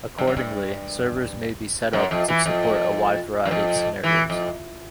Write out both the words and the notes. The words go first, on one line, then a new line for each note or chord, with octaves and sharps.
Accordingly, servers may be set up to support a wide variety of scenarios.
G2
F#2
G2
F#2
F2
E3
F2
F#2
F2
E3
F2